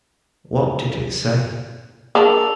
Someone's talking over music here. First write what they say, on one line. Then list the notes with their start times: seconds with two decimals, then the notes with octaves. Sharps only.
What did it say?
2.15 A#3 D4 G#4 E6 F7